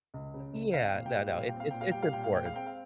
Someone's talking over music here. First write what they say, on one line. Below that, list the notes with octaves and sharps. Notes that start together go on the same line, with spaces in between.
Yeah, no, no, it's it's it's important.
C#2
C#3
C#2
C4 F5
G5
A#2 F5
G5
G3 F5
G5
A#2 F5
G5
C4
F5
A#2 G5
F5
G3 G5
F5
A#2 G5
F5
G#3 G5
F5
C4 G5
F5